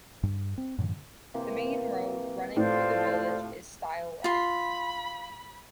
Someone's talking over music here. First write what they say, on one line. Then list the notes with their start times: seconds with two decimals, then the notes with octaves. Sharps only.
The main road running through the village is Stile Way.
0.23 G2
0.58 C4
0.78 F#2 A2 D3 E3
1.34 C3 E3 A#3
2.56 A2 F4 A4 C5 D5
4.24 F4 B5 C6